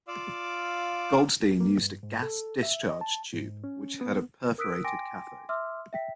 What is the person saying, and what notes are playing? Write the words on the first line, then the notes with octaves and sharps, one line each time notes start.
Goldstein used a gas discharge tube which had a perforated cathode.
F4 D5 F5 D6 E6
A#3
G2
G#2
A4
E5
D#5
A5
G#2
C#4
B3
A#4 D#6 E6 F#6 B6 D7
G5 G#5 C6 D6 A#6 D7
E5 C6 D6 E6 F6
E5 G5 B6